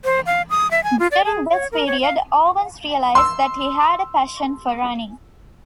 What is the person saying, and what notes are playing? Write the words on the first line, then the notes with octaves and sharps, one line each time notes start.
During this period, Owens realized that he had a passion for running.
C5
F5
D#6
E5
G#5
F4
D5
G#4
C#5
A#4
C#5
F5
C6 E6